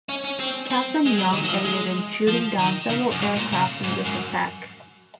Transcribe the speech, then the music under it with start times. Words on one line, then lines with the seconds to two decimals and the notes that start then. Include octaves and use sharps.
"Cassin Young" aided in shooting down several aircraft in this attack.
0.09 C#4
0.24 C#4
0.40 C4
0.71 C4
1.06 G#3
1.18 F#3
1.33 D#3
1.44 F#3
1.49 F3
1.64 G#3
2.27 F3
2.59 D#3
2.90 C#3
3.11 F#2
3.21 G#2
3.36 A#2
3.52 C#3
3.83 G#2
4.05 F#2